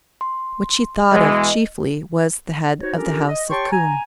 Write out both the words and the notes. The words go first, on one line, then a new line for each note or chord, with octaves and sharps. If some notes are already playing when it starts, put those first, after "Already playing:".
What she thought of chiefly was the Head of the House of Coombe.
C6
B2 E3 G#3 D#5
D#4 F#4 C5 C#5
C#4 D4 F4 G4 A4 A#4
D#5
G4 C#5 G5 A5 C6 C#6
G#5 A#5